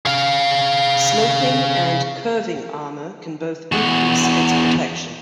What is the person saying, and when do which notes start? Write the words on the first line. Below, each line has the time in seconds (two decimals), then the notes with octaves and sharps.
Sloping and curving armour can both increase its protection.
0.05 G#4 F5
3.72 E2 F#4